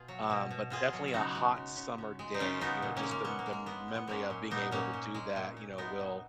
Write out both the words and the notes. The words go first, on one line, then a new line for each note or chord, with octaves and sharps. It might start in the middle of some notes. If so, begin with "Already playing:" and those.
um, but definitely a hot summer day, you know, just the m the memory of being able to do that, you know, will
Already playing: B2 F4 G#4
F#3
B2
B2
B2 F4 G#4
F#3
F4
C#3 D#4 F#4
G#3
C#3
C#3
C#3
G#3
D#4
C#3 C#4 F4
C#3 B3 D#4
A#2
A#3 C#4
G#3
A#3
A#2 B3
A#3
G#3
A#3
G#3 B3
A#2
B3
G#3 A#3 C#4
A#2
A#2 B3 D#4
A#2 A#3 C#4
A#2
G#3
A#2
A#2
G#3 B3 D#4
A#2